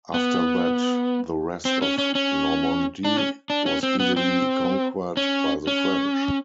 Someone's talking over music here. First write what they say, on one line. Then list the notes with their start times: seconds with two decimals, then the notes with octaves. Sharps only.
After that, the rest of Normandy was easily conquered by the French.
0.14 B3
1.65 C4
1.82 C#4
1.98 C#4
2.15 C#4
3.05 D4
3.16 C#4
3.50 D4
3.66 C#4
3.83 C4
4.00 B3
4.16 C4
5.17 C#4
5.67 C#4